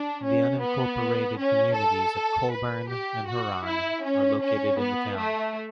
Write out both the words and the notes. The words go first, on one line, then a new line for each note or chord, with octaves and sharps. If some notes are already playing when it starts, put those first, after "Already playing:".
The unincorporated communities of Colburn and Huron are located in the town.
Already playing: D4
C#4
B3
C#4
A4
B4
G4
F#4
E4
C#4
C#4
B3
A3